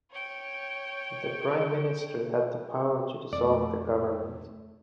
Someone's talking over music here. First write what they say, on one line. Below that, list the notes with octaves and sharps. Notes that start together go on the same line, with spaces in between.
The Prime Minister had the power to dissolve the government.
C#5 G5
F2 A3 D5